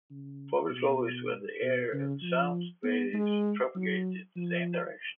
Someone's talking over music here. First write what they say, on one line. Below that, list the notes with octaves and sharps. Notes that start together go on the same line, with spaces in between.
Forward flow is when the air and sound waves propagate in the same direction.
C#3
B2
B2
C#3
F3
B3
G#3
F#3
F3